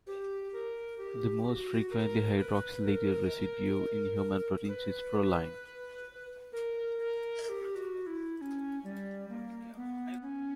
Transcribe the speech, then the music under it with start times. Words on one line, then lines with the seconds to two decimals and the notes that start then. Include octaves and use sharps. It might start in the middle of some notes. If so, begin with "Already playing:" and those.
The most frequently hydroxylated residue in human proteins is proline.
0.07 G4
0.53 A#4
0.98 G4
1.45 G4
1.49 F#4
1.91 A#4
2.37 B4
2.84 A#4
4.68 B4
6.52 A#4
6.99 A#4
7.45 A#4
7.49 G4
7.75 F#4
8.07 E4
8.37 E4
8.41 C#4
8.84 G3
9.30 A#3
9.76 B3
10.22 C#4